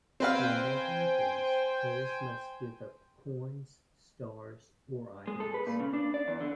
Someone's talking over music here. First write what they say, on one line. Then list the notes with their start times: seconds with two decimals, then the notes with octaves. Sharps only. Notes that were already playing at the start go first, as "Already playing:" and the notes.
When that happens, players must give up coins, stars or items.
0.20 C4 B4 C5 F5 G5 G#5
5.27 G#3
5.40 A4
5.54 B4
5.67 A#2
5.80 C#3
5.94 D4
6.14 D5
6.28 E2
6.41 D3